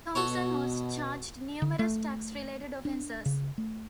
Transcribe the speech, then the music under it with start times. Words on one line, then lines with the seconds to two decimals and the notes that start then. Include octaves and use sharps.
Thompson was charged numerous tax-related offenses.
0.15 B2 F#4 A4 C#5
1.62 D3
1.79 A3
2.85 D4
3.26 C#3
3.58 A3